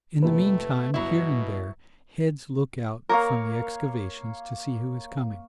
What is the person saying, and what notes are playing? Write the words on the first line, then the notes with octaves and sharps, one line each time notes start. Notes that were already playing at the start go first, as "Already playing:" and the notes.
In the meantime here and there heads look out from the excavations to see who is coming.
F1 A#2 A3 B4
G1 B2 F#3 E4 B5
A#3 A#4 C#5 F5